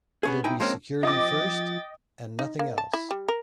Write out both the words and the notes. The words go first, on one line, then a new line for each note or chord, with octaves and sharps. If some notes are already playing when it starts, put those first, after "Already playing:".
It'll be security first-and nothing else.
B3 C#4 G#4
C2 D#4 E4 G5 G#5
F3 G#3 A#3 C4 C#4
F3 D#5 G5 D6 A6
D#4
A#3
A5
E4
G3
A#4